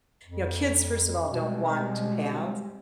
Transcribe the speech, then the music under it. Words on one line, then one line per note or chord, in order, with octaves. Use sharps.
You know, kids, first of all, don't want to have
F2
B2 G3 G#3 C4